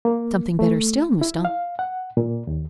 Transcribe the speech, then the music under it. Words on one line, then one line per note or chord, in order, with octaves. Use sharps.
"Something better still, Mouston."
A#3
A3
E4
F5
F#5
A#2
D#2